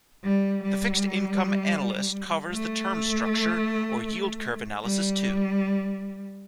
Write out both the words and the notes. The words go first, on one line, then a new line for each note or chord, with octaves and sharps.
The Fixed Income Analyst covers the term structure or yield curve analysis too.
G3
G3
A3
G3